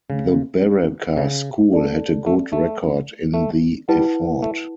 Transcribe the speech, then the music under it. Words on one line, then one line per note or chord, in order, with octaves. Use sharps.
The Baraka School had a good record in the effort.
C#3
C#3
A4 D5 A5
A3
A3
A3
G3 E4 B4 F#5 A5
A3